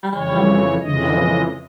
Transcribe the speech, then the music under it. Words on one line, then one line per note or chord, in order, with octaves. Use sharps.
Um, no.
F2 C#3 E3 C#5
F2 C#3 E3 G#3 D#5